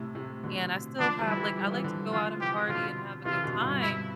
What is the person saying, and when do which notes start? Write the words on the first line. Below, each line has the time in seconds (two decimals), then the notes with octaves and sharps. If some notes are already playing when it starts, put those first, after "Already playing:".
and I still have like, I like to go out and party and have a good time,
Already playing: A2 C3
0.15 A2 C3
0.43 B2 D3
1.00 D3 F3 D4
1.19 E3 G3
1.28 E4
1.37 E3 G3
1.56 G3
1.63 F3
1.71 E3 G3
1.84 D3 F3
2.12 D3 F3 F4
2.37 F3
2.41 C3 E3 G4
2.68 B2 D3 F4
3.25 C3 E3 F4
3.44 B2 D3
3.63 G2 B2
3.82 E4